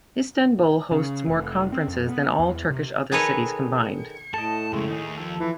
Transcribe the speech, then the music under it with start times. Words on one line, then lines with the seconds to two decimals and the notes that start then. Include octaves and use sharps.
Istanbul hosts more conferences than all Turkish other cities combined.
0.91 C#3
1.28 F1
1.72 C4
1.88 F2
2.09 B3
2.39 E2
2.71 C3
3.12 D#3 G#4 A4 B4 C#5 D#5
4.34 A2 A4 D#5 A5
4.73 F2 C#3 G#3 A3
4.89 D#2 A3 D#4 G#4
5.18 F3 A4
5.39 E3